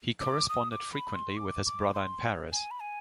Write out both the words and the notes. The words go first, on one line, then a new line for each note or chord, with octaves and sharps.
He corresponded frequently with his brother in Paris.
D6
D#6
D6
B5
C6
D6
D6
C6
G#5
B5
G#5